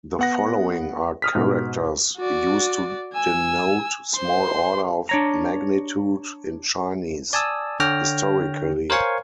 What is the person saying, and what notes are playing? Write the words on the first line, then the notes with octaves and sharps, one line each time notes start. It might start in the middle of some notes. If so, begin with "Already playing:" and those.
The following are characters used to denote small order of magnitude in Chinese historically.
B3 F#5 A#6
D#6 F6 B6
G#2 B2
F#4 D5
G#5 E6
C5 C6
D4 C#5 A#5
D5 G#5 A5 D#6 E6
D3 C#5 G5 F6 A#6
A#4 C5 C#5 F5 G#5 C#6